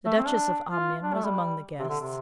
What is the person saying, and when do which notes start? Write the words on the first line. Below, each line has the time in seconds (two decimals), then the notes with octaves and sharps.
The Duchess of Omnium was among the guests.
0.06 A3
0.17 C4
0.27 D4
0.71 F4
1.03 D4
1.14 A3
1.24 G3
1.79 C3
1.89 D3
2.01 C3